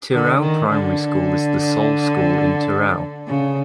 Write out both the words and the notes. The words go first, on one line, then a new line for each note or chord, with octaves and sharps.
Tirau Primary School is the sole school in Tirau.
D3
D#3
D3
C#3